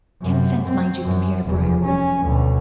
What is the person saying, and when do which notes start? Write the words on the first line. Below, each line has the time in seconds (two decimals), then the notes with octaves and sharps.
Ten cents, mind you, from here to Briarwood.
0.22 F#2 C3
0.69 C4
1.04 F#2
1.46 F1 E2
1.85 C#4
2.23 D2 B2